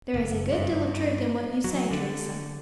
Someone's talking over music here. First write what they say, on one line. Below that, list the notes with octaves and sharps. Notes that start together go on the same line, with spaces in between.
"There is a good deal of truth in what you say, Teresa."
F#1
G2
F#3
D3